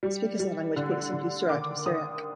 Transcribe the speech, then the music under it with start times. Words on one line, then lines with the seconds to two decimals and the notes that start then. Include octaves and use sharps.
Speakers of the language call it simply "Surat", or 'Syriac'.
0.03 G3
0.39 G3
0.76 D3
1.13 D3
1.49 D#3 D6
1.86 D#3 D#6